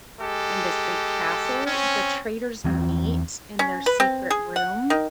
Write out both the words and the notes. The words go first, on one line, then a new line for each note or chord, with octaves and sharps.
in this big castle, the traitors meet in their secret room,
G#3 G4 A4
C4 C#4
E2 E3 C4
C#4
B4
C4
G#4
F#5
D#3